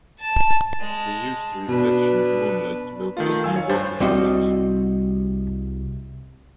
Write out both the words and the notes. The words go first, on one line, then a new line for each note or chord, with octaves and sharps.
They use the reflection of moonlight to locate new water sources.
A5
G#3 A5
B2 D4 B4
D#3 A3 F4
F5 G#5 E6
C#5
G2 C5 A6
C2 G3 C4 F#4 D#5